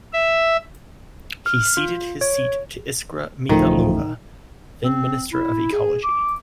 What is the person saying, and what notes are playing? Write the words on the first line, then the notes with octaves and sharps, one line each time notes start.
He ceded his seat to Iskra Mihailova, then-minister of ecology.
E5
F6
F4
C#5
D1 A1 D#3 F3 A3
C4
E4
G#4
D6